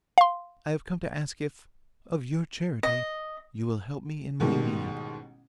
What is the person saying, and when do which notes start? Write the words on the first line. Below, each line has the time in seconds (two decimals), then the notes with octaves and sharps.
I have come to ask if, of your charity, you will help me in my need.'
0.18 F5 C6
2.83 D#5
4.40 A1 G#2 B2 D#3 G3